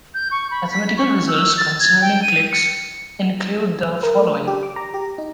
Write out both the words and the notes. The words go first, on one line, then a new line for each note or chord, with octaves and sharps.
Mathematical results concerning cliques include the following.
G6
C#6
B5
B6
C#6
E6
A6
G#6
G5
D#7
C#7
A#4
A3
D4
G4
D6
A#5
G4
D#4